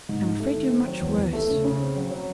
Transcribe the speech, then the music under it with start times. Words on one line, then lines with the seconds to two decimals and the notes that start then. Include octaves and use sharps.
'I'm afraid you're much worse.
0.09 G#2
0.25 D#4
0.40 A3
0.56 D#3
0.70 C4
0.87 F#3
1.01 E2
1.18 E2
1.33 A3
1.50 C#3
1.64 C#3
1.81 C4
1.96 F#3
2.11 F#3